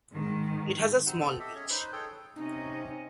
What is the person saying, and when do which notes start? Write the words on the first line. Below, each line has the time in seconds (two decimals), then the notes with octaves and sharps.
It has a small beach.
0.14 G#2 D#3
1.06 C4 D#4 F#5
1.20 B3 C4 A4
1.39 G4 A4 D#5 E5
1.55 C#4 G#4 C#5
1.70 D#4 B4 C5
1.93 G#4 A4 C#5 G5
2.36 C3 C#4 D#4 D#5